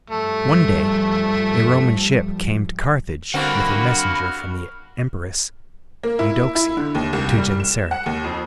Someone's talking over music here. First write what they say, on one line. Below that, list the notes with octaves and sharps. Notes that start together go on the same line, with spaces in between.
One day a Roman ship came to Carthage with a messenger from the Empress Eudoxia to Genseric.
G2 F3 G3 A3
D3 A#3 C4 F#4 A#4 F#5 B5
A#3
E4
E4
D3
D#2
C2
G3
E7
F#5
D#2
F2